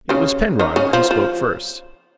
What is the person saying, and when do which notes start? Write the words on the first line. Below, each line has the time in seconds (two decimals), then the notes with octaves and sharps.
It was Penrod who spoke first.
0.09 C#3 C#4
0.59 D#3 D#4
0.76 C#3 C#4
0.93 F3
1.11 F3